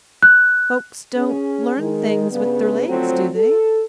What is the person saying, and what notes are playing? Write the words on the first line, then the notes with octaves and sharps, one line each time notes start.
"Folks don't learn things with their legs, do they?"
F#6
C#4 G#4
D#3 G#3
G2 C#3 B3
D3 F3 F#3 A3 C4
A4